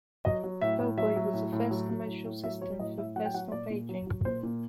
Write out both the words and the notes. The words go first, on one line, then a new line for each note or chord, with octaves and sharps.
Bellboy was the first commercial system for personal paging.
F#3 D#5
F#3
A2 E5
A2
F#3 E5
F#3
A2
A2
F#3
F#3
A2
A2
F#3 E5
F#3 C#5
A2 D#5
A2 E5
F#3 F#5
G5
F#3 F#5
A#2 D5
A#2
F#3
F#3
A#2 C5
A#2